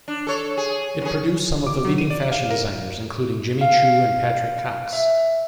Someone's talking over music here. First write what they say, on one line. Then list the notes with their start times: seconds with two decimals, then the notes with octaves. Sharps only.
It produced some of the leading fashion designers, including Jimmy Choo and Patrick Cox.
0.08 D4
0.27 A4 C#5
0.57 G#4
1.02 F#2 G#4
1.67 D6
1.85 F#3
1.98 D#7
2.10 D5
2.32 F5
2.51 A#4
3.61 F5
4.93 E5